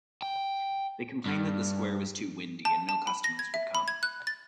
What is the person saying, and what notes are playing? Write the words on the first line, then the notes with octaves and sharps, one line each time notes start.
They complained that the square was too windy and no customers would come.
G5
G2
A5
A5
B5
A#6
G#6
E5
B5
G#6
F#6
A6